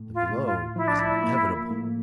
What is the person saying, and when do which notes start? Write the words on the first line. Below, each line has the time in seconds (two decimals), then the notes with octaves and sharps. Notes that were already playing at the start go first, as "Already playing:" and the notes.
The globe is inevitable.
Already playing: A2
0.14 F4
0.30 A2
0.45 F4
0.76 F3 E4
0.88 D4
0.99 E4
1.23 A#3
1.70 A2